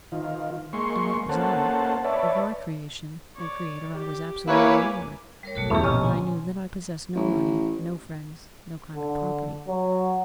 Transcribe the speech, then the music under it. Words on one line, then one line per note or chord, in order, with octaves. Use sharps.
And what was I? Of my creation and creator I was absolutely ignorant, but I knew that I possessed no money, no friends, no kind of property.
D#3 F4
G#3 A#3 C6 C#6
A#3 C#4 A4 C5 F#5 A5
B4 C#5 D5 E5 A5
C#5 D5
G4
A#3 E4 B4 C#5 G#5 D6
G3 A#4 C#5
B1 F#2 A3 F#4 A4
G1 E2 D#3 A3 C#4 G4
A#1 B2 D3 C#4 D#5 A5
G#5 C6
A1
D3
F#3